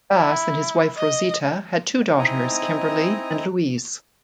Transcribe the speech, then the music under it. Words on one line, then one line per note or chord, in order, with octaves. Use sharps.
Bass and his wife, Rosita, had two daughters, Kimberly and Louise.
E4
D#5
C4 D#4 E4 D#5 G#5 A#5